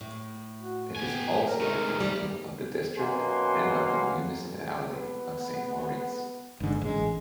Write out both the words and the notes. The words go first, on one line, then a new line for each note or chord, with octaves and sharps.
It is also the capital of the district and of the municipality of Saint-Maurice.
A2
F#4
B3 G4 G#5
A#4
G#3 A3 D#4
G3
F#2 B2 A#3 F#5 G#5 C6
B3
G1 G#2 D3
A1 G#3